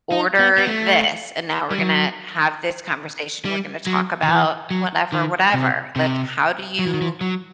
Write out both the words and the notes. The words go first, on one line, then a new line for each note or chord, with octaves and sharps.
order this, and now we're gonna have this conversation, we're gonna talk about whatever, whatever." Like, how do you
D#4
B3
B3
A3
G3
F#3
G3
F#3
D#3
E3
F#3
D#3
C3
C3
F#3
E3
D#3
E3
F#3